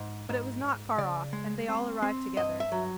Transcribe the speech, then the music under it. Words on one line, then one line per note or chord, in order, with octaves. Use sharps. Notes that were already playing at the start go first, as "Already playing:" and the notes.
But it was not far off and they all arrived together.
Already playing: G#2
G#2
G#2
C#3 D5
G#3
C4
C4
G2 D#5
E5
F#3